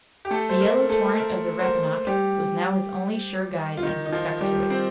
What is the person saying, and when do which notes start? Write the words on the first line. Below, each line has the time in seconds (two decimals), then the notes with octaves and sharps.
The yellow torrent of the Rappahannock was now his only sure guide and he stuck to it.
0.25 G4
0.31 A3 A4
0.49 C5
0.60 A#3 A#4
0.89 A3 A4
1.20 A#3 A#4
1.59 C5
1.62 A#3 A#4
2.07 G3 G4
3.77 F4
3.83 D#3 D#4
4.06 D#4
4.12 F3 F4
4.41 G3 G4
4.70 C4 C5